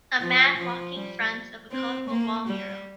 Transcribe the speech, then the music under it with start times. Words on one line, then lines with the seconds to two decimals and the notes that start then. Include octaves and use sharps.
A man walking in front of a colorful wall mural.
0.20 F3
0.57 F3
0.96 G3
1.71 C4
2.10 A#3
2.48 G3